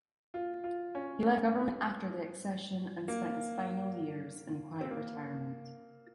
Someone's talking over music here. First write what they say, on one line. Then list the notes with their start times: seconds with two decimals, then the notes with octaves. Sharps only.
He left government after the accession and spent his final years in quiet retirement.
0.34 F4
0.64 F4
0.95 C#4
1.25 C#4
3.08 A#3
4.81 C4
4.91 A#3